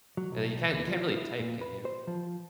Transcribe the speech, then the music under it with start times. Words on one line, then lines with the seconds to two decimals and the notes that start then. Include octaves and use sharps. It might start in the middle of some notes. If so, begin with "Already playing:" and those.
And then you can't you can't really type, can you?
0.17 F#3
0.32 B1
0.71 D2
0.88 F3
1.16 E4
1.40 A#2
1.61 B4
1.85 C5
2.07 F3